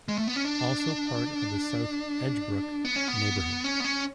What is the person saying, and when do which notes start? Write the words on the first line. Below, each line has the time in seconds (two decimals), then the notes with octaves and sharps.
Also part of the South Edgebrook Neighborhood.
0.08 G#3
0.18 A3
0.28 B3
0.36 C#4
0.45 D4
2.85 B3
2.96 C#4
3.08 B3
3.64 C#4
3.80 B3
3.84 C#4